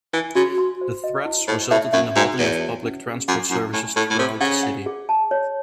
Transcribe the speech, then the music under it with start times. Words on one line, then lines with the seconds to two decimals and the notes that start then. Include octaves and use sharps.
The threats resulted in the halting of public transport services throughout the city.
0.13 E3 G#5
0.35 C#3 F#4
0.58 C6
0.81 C5
1.04 D#5
1.25 E4
1.48 A2 C5
1.71 A2 E5
1.93 F#2 E5
2.15 G#2 F#4
2.39 E2 C#5
2.60 E4
2.84 C#4
3.06 G#4
3.28 F#2 F#5
3.51 F#2 E4
3.73 A2 G#5
3.96 A2 A4
4.10 A2
4.18 C3 C5
4.41 C#3 F#5
4.63 F#5
4.86 G#4
5.09 A5
5.31 C#5